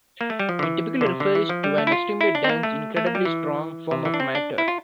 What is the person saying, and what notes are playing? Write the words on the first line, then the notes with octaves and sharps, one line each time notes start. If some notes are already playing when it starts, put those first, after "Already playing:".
It typically refers to an extremely dense, incredibly strong form of matter.
A#3
A3
G3
F3
D3
E3
D3
C3
D3
E3
F3
G3
A3
E4
F4
E4
D4
C4
A#3
A3
A3
A#3
G3
E3
C3
E3
D4
C4
D4
E4
F4